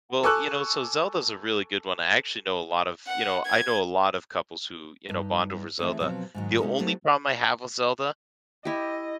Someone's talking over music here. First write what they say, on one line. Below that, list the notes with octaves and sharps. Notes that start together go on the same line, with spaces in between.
Well, you know, so Zelda's a really good one, I actually know a lot of you know, I know a lot of couples who, you know, bond over Zelda. The only problem I have with Zelda
A4 G#5 C#6 D6 E6 F#6
F#5
G#6
G2 D#4
E3 A3 C4 G#4 C#5
B2 F3 F#3 C4
G#2 D#3 F#3
C3 G#3 B3 C#4 D#4
F#3 A3 A#3 C4 E4 G4
E4 G4 D#5